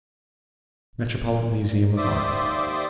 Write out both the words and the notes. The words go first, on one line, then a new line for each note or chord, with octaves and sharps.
Metropolitan Museum of Art.
D#2 C5 D5 E5 D6 D#6